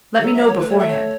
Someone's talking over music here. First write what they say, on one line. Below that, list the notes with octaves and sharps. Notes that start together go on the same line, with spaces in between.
Let me know beforehand....
F#3 A4
E5
C#5
A3 B4
C#5
E5
C#5